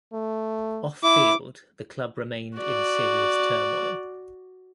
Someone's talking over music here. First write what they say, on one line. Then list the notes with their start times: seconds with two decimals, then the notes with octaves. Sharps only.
Off field, the club remained in serious turmoil.
0.13 A3
1.03 E4 D6
2.57 F#4 D5